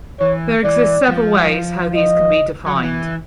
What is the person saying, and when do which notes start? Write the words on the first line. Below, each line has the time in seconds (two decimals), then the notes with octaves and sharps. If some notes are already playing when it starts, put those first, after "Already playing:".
There exists several ways how these can be defined.
0.20 E3 C#5
0.64 E3 D5
1.08 F3
1.95 D#5
2.67 F#3
2.75 F3
2.83 E3